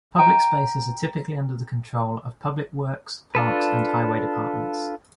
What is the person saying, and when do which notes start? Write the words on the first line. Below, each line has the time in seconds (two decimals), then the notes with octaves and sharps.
Public spaces are typically under the control of public works, parks, and highway departments.
0.19 G5 A#5
3.35 D4 F4 A4 B4